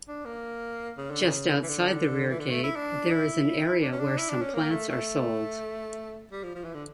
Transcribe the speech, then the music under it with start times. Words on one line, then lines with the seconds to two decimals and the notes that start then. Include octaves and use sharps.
Just outside the rear gate there is an area where some plants are sold.
0.08 D4
0.25 A#3
0.97 C#3
1.11 D3
1.24 C#3
1.63 E3
1.69 D3
2.29 E3
2.39 D3
2.51 A3
2.64 E4
2.76 D4
3.11 E4
3.83 D4
3.92 C#4
4.00 D4
4.18 E4
4.30 D4
4.41 C#4
4.54 A#3
4.71 A3
4.89 A3
6.32 G3
6.44 F3
6.55 F3
6.64 E3
6.74 D3